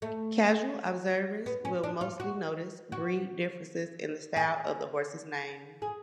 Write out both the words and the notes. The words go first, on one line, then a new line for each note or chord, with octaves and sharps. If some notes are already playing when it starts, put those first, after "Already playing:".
Casual observers will mostly notice breed differences in the style of the horse's mane.
A3
B3
C#4
D4
F4
F#4
F#4
G#4
G#4